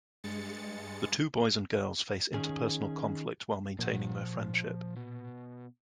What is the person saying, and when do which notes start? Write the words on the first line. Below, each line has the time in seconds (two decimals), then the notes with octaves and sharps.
The two boys and girls face interpersonal conflict while maintaining their friendship.
0.24 G2 G#3 A6 C#7
2.34 D#3 C#4 G#4
3.79 A#2 F3 F#5
4.96 B2